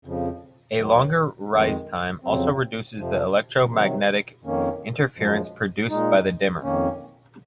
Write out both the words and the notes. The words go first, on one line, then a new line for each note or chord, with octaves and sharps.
A longer rise time also reduces the electromagnetic interference produced by the dimmer.
F2 C#3 F3
D#2 D#3 F#3
F2 D#3 G#3
F2 C#3 F#3 C4
F2 C3 F3
C3 D#3 F#3
F2 D#3 A#3 C#4
F#2 F3 G#3
A#2 G#3 D#4
F2 D#3 A#3 C#4